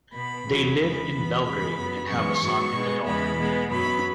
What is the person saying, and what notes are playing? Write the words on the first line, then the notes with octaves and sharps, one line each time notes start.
They live in Belgrade and have a son and a daughter.
B2 B3 B5
E2 C#3 F#3
E2 C#3 G#3 B5
E2 E3 B3
E2 C#3 G#3 B3 B5
F#2 F#3 B3
F#2 E3 G#3 B3 C#6
G#2 F#3 B3
B2 G#3 B3
E2 C#3 E3 G#3 B3 B5
B2 G#3 B3
F#2 F#3 B3 B5